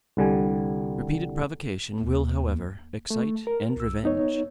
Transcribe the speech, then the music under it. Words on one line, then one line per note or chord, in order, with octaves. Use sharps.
Repeated provocation will, however, excite and revenge.
C2 D3 G3 G#5
D#2
A3
A#4
C2 E6
B3 D#4 C#5